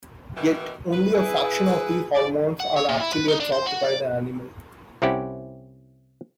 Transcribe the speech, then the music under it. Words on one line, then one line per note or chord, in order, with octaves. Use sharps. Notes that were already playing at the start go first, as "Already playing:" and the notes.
Yet, only a fraction of these hormones are actually absorbed by the animal.
B2 D#3 E3
B4
E4 G#4 B4
D5
F#5
C#5
A#2
E4
B4
D#4
D4
C5
F#4
D5
C2 C4 C#4 E4 G4 F#5